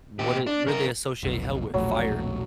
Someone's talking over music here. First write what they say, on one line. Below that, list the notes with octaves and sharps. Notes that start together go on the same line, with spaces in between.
what i what they what associate hell with? Fire.
A#2 G4
D4
C#3 A#4
F1 B1
E1 A#1 F#3 A3